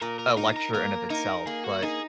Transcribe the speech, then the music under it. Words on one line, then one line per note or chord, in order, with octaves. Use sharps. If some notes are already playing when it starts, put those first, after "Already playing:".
a lecture in of itself, but
A#2 A#4
A#4
D#4 A#4
A#4
A#3 A#4
D#4 A#4
A#3 G#4
F#4
D#4 G#4